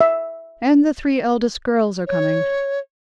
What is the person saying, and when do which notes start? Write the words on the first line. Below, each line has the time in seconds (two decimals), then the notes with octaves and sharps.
"And the three eldest girls are coming."
0.01 E5
2.07 C#5